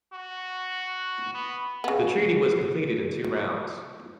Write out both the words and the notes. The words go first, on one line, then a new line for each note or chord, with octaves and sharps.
The Treaty was completed in two rounds.
F#4
B3
C#3 B3